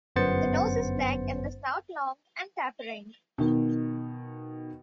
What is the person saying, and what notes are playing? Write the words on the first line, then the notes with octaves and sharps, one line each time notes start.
The nose is black and the snout long and tapering.
G1 F#2 B3 C5 A6 C#7
B2 D#3